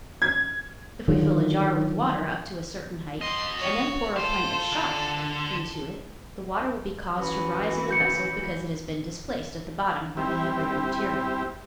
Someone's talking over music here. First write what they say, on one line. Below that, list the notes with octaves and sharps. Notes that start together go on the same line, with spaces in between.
If we fill a jar with water up to a certain height and then pour a pint of shot into it the water will be caused to rise in the vessel because it has been displaced at the bottom by the heavier material.
G#6
D3 D#3 F3 F#3
F2 D#5 C6
F#4 C#5
F4 A4 C5
D3
A4
E3 C#4 F#4 B4 B5
G6 C#7
G3 C4 E4 G4